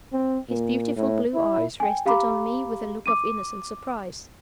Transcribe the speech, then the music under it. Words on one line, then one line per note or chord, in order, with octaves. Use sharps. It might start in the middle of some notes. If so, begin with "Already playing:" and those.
His beautiful blue eyes rested on me with a look of innocent surprise.
C4
A#2
A2
E4
G5 G#5
G4 F5 A#5 B5 D6
D6 D#7